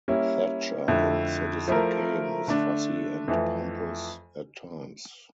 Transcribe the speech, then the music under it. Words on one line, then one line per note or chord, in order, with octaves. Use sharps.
Thatcher in "Citizen Kane" is fussy and pompous at times.
G3 A#3 C#4 E4
F2 D3 A3 E4
F3 A3 E4 A#4
D3 A3 D4
F2 E3 A3